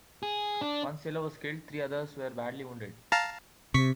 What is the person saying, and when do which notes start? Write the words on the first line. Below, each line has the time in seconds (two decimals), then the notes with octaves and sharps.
One sailor was killed, three others were badly wounded.
0.23 G#4
0.61 D4
3.12 F5 A5 A#5
3.74 C3 C#6 B6